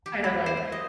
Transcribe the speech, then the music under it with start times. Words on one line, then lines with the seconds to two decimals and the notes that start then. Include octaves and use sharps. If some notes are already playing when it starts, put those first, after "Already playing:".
Kind of like,
0.06 G4
0.24 E4
0.46 C5
0.72 D#5